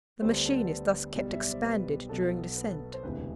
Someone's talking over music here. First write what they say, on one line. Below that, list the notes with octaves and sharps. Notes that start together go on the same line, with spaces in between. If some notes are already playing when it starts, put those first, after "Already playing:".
The machine is thus kept expanded during descent.
D2 D3 G3 B3 C5
B4
A4
B4
B1 B2 G3
E5
D5
C5
B4
B1 B2 F#3 B3 A4
B4
A4
B4
C5
E1 D2 C3 E3 B4